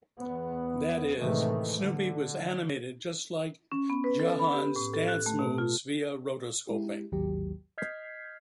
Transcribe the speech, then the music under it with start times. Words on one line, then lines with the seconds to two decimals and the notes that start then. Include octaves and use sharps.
That is, Snoopy was animated just like Jahan's dance moves via rotoscoping.
0.20 E2 B3
1.19 A2 C3 D#3 E3 G#3 A3
1.77 D3
3.72 C#4
3.90 B3
4.04 B4
4.20 A4
4.39 B5
4.53 G4
4.76 A2
4.94 A4
5.08 F#6
5.26 A3
5.39 B2
5.58 F4
6.67 G#3 E4 G4
7.12 A1 D#2 G#2 F#3 G4
7.78 D#5 F6 G6 G#6 B6 C7